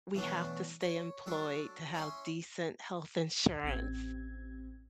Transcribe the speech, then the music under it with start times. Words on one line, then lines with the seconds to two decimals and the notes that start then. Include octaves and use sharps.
we have to stay employed to have decent health insurance.
0.15 B2 E3 F#3 A3 D4
0.82 C#5
1.26 F#3 D4 A4
1.94 C#4 E4 G#5 C6
3.63 A1 C4 G#6